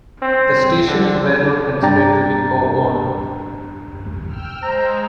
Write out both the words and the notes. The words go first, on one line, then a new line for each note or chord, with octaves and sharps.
The stations were not considered to be co-owned.
C4
D3
G2 D4 G4 G5 A#5 A6
G5 E6 F6
G#3 C5 A#5